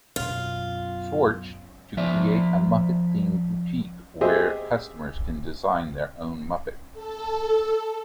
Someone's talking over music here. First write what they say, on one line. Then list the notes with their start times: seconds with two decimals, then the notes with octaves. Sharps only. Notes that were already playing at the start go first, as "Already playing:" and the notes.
Schwarz, to create a Muppet-themed boutique where customers can design their own Muppet.
0.16 F#2 B2 F4
1.97 F3 D5 E5
4.21 G4 G#4 C5 D#5 E5
6.93 A4